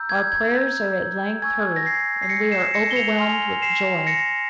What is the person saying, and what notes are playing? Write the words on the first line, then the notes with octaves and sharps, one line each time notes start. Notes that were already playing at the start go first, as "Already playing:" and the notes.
'Our prayers are at length heard, and we are overwhelmed with joy.
Already playing: A#5 E6 G6
G#6
G#6
G#5 C#6 E6 G#6
A#6
G#6 C7
C7
A#6 C#7
C7 E7
A#6 C#7
G7
C#7 F7
G#5 C6 F6 C#7 F7
C7 E7
A#6 C#7